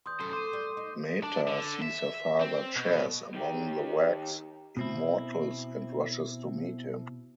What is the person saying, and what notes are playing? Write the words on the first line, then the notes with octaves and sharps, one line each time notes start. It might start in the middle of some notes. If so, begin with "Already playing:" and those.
Meta sees her father Chas among the wax immortals and rushes to meet him.
E2 C6 D#6 G6
F#2 A4 C5
C5 D6 D#7
G3
D#4
D4
D3
E5
C4
B2
D#3 G4
B2 C4 E4